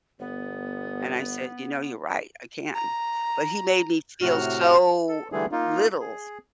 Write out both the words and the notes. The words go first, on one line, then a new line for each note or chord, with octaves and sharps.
and I said, "You know, you're right, I can." But he made me feel so little.
G1 B3
A#5
A2 C3 F#4 F6
A4
D3 E3 G3 A3 G#4
A#3 D#4 F4
G#4